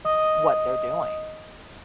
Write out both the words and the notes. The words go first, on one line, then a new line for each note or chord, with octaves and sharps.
what they're doing.
D#5 D#6